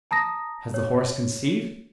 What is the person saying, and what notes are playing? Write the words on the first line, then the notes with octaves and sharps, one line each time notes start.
Has the horse conceived?
A5 A#5 D#6 A#6
C#5